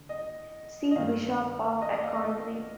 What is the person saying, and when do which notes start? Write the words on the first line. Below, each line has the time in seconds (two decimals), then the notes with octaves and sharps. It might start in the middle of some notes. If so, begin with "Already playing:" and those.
See Bishop of Achonry.
Already playing: D3
0.09 D#5
0.91 D#5
0.96 G2 D#3 F5
1.82 D#5
1.88 D5
1.92 D#5
2.04 F5
2.14 D#5
2.25 A4